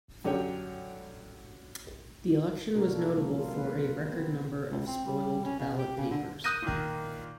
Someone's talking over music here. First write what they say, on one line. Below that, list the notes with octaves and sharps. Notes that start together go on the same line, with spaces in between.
The election was notable for a record number of spoiled ballot papers.
F#2 D3 C#4 G4 C#5 G5
B2 A#3 D4 F#4 A#4
A4
C3 D#3 F#3 G#3 A#3
F4
A#3 B3 B4
B3 C4
C#2
C4
G3
C#4
C#3
G4
C#3
D3
D#6 F#6 G6 A#6 D#7
A#2 D#3